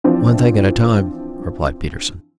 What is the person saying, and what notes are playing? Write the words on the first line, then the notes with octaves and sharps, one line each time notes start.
"One thing at a time," replied Peterson.
E3 F3 C4 D4